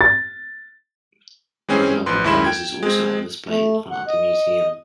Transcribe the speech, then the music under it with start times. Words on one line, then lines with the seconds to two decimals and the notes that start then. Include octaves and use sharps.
One of her propellers is also on display in front of the museum.
0.01 A6
1.69 E3 G#3 C4 C#4 G#4
2.06 A1 F3 B4 C6
2.24 D#2 G#3 E4 B5 C6 E7
2.44 G5 G#6
2.83 G#3 C4
3.48 A3
3.91 F#5
4.08 D#5